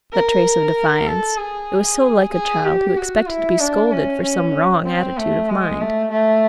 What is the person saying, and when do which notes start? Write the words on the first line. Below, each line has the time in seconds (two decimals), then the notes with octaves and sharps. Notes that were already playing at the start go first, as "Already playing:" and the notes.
That trace of defiance--it was so like a child who expected to be scolded for some wrong attitude of mind.
0.13 A#4
1.07 A4
1.38 G#4
2.33 G#4
2.65 G4
2.97 F#4
3.29 E4
3.60 D4
3.92 C#4
4.22 C#4
4.86 C4
5.18 A3
5.49 G#3
5.81 A3
6.12 A3